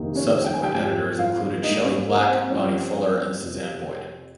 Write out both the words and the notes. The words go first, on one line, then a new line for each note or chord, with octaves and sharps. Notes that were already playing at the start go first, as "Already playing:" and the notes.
Subsequent editors included Shelley Black, Bonnie Fuller, and Suzanne Boyd.
Already playing: F2 C3 D#3 A#3
C#4 C#5
G5
G#5
G4 G5
G#2 F3 C4 G4 G5
F4 F5
G#2 G3 A#3 D#4 D#5
C#4 C#5
A#4
C4 C5
G2 F3 C4 C#4 C#5
F2 C3 F3